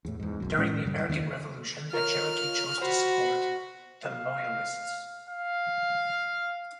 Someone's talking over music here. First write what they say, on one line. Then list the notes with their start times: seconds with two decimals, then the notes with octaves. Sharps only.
During the American Revolution the Cherokee chose to support the loyalists.
0.05 E2 A2
0.20 E2 G#2
0.40 D#1 B1 F#2
0.57 A2 G#3 C#4
0.85 F#2 C#3 G3
1.08 E2 D#3 A#3 D4
1.93 F4 A#4 C#5 F6
2.81 F#4 C5 B5
4.03 F5
5.29 F5